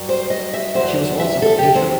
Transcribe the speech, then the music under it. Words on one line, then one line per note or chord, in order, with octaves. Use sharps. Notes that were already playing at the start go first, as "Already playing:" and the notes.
She was also the patron of the Women's Institute of Negeri Sembilan.
Already playing: G2 F#3
C5
D#5
E5
E2 B2 F#3 C5
E5
A4
G4
C4